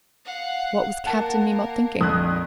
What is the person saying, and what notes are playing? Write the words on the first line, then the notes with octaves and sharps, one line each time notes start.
What was Captain Nemo thinking?
F5 F#5
A#3 A#4 F#5 A5
A#1 F2 D#6 F#6